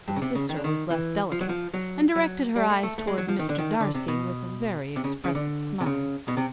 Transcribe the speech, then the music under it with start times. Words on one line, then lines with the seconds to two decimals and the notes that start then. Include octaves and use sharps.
His sister was less delicate, and directed her eyes towards Mr. Darcy with a very expressive smile.
0.08 G2
0.16 C#3
0.22 C3
0.35 C#3
0.49 D#3
0.57 D3
0.64 D#3
0.90 E3
1.32 F3
1.41 F#3
1.49 F3
1.74 F#3
2.15 F#3
2.56 G3
2.70 A3
2.83 A3
2.98 A3
3.07 G#3
3.18 F#3
3.28 F3
3.39 D#3
3.49 D3
3.58 D#3
3.80 D3
3.94 C3
4.08 B2
4.96 C3
5.04 C#3
5.24 C#3
5.35 D3
5.81 C3
5.86 C#3
6.28 B2
6.37 C3